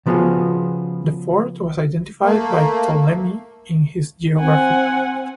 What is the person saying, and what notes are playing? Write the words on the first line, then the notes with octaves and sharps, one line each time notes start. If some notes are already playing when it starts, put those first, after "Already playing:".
The fort was identified by Ptolemy in his Geography.
C#3 F3 B3 F4 F#4 G#4
A3 A#3
C4 F#5 G#5